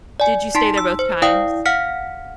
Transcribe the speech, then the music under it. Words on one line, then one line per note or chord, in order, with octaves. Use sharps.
Did you stay there both times?
D5 G#5
D#4 A5 C6 B6
E6
C5
E4 D5 F5 G5 D#6
F5 F#5 F6 B6 C#7